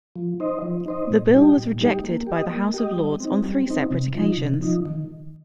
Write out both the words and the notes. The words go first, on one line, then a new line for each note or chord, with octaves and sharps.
The bill was rejected by the House of Lords on three separate occasions.
F3
D#4 C5 D#5
F3
D#4 C5 D#5
A#2
G3 D#4 G4
A#2
G3 D#4 G4
A#3
G4 D#5
A#3
G4 D#5
G3
C4 D#4
G3
C4 D#4
C3
F3 D#4
C3
F3 D#4
D#3